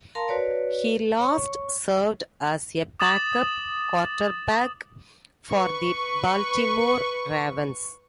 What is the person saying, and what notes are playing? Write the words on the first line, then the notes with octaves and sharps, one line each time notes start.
He last served as a backup quarterback for the Baltimore Ravens.
A#4 F5 A5 A#5 C6
F#4 B4 C#5 D5
C#5 C#6
D6 D#6 A6 E7 F#7
B4 C#6